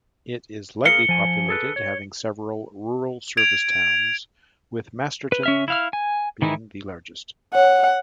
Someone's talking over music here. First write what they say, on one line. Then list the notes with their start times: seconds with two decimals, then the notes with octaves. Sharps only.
It is lightly populated, having several rural service towns, with Masterton being the largest.
0.85 G#4 A#4 F5 C#7 G7
1.09 F3 G#5
1.49 G#4 A4 B4
1.76 C#5
3.37 G#6 D7 F7
5.32 B4
5.43 C#4 E5 F6
5.68 E4 F5 F6
5.93 G#5
6.42 D#3 E3 D#4 E4
7.55 C#5 F#5